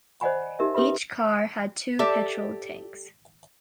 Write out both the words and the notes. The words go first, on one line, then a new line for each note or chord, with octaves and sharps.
Each car had two petrol tanks.
C5 D5 D#5 F#5 G#5 B5
D#4 G4 A#4 D#5 E5
C#4 G4 A4 B4 E5 B5
G4 A4 D5 E5